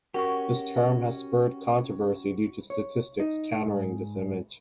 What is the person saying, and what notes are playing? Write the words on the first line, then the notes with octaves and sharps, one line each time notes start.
This term has spurred controversy due to statistics countering this image.
C#4 F#4 G4 A#4 C#6
C#5
D#4
G#2